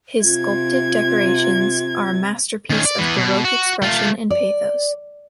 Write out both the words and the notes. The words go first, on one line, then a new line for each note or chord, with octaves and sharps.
His sculpted decorations are a masterpiece of baroque expression and pathos.
C3 F4 G#6
D#3 C#4
D5
E3 B3
B2
F#4
A3 F4
D5